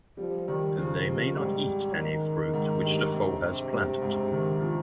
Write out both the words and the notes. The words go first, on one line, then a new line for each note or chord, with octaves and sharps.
They may not eat any fruit which the foe has planted.
F3 G3
D#3 G3
C#3 F3
C3
G#2 G3
D#3
G#2
G2
C3
G2
G#2
D#3
F3